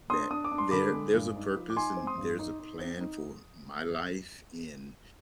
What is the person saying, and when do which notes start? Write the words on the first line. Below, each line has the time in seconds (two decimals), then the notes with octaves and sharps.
that there there's a purpose and there's a plan for my life and,
0.10 D4 C6 D#6
0.31 D4 D#6
0.44 D6
0.51 D4
0.58 C6
0.71 D3 B5 D6
0.93 G#3
1.14 G2
1.36 D#4
1.56 F3
1.70 D6
1.76 D#4 G#5 C6
1.97 C4
2.07 C6 D#6
2.18 G2
2.39 D#4
2.60 D#4
2.81 C4
3.01 D#4